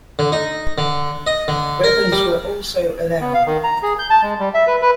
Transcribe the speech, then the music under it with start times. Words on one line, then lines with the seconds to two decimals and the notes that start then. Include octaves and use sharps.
Weapons were also allowed.
0.19 D3
0.32 D#4
0.78 D3
1.27 D#5
1.48 D3
1.84 A#4
2.12 G3
3.21 B3
3.34 F5
3.46 D#3
3.64 A#5
3.83 G#4
3.99 G6
4.10 A5
4.22 G#3
4.39 G3
4.54 E5
4.67 B4
4.82 B4